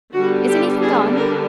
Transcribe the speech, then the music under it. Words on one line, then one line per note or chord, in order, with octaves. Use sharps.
"Is anything gone?"
D3 G3 B3 D4 F#4
G4
G#4
A#4